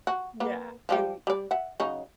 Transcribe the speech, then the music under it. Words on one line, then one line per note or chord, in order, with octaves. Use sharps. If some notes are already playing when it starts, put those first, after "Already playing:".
Yeah, and
F#4
A#3 B3 B4
F3 G3 G4
G3 D5
E5 F#5
C#3 F#3 D#4